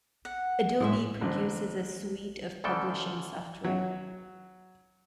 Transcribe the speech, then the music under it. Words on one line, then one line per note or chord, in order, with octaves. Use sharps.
Adobe produces a suite of publishing software.
F#5
A2 G#3 E5
A1 D3 C4
D2 C#3 E3 F3 A4 G5
F#3